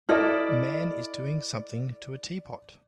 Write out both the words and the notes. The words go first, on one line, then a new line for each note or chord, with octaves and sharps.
A man is doing something to a teapot.
E4 A4 D5 D#5 F6